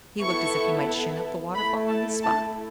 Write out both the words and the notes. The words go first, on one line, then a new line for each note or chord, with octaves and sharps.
He looked as if he might shin up the waterfall on the spot.
B3 E4 A4 C#6
A3 E4 A4 B5
A5
A5